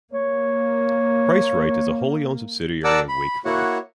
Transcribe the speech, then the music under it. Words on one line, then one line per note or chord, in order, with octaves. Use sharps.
PriceRite is a wholly owned subsidiary of Wakefern.
A#3 C#5
A#4 D5 F#5 A5 D6 E6
B5
A#3 E4 F#4 C#5 F#5